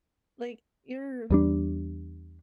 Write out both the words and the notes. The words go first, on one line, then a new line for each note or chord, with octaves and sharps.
like, you're
E2 G3 D4